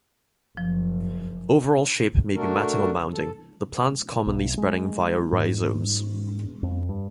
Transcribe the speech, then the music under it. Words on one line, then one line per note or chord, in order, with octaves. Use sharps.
Overall shape may be matting or mounding, the plants commonly spreading via rhizomes.
F#1 F3
A3 D4 F#4 A4 A#4
A4
B1
G#3
G#2
F2
G2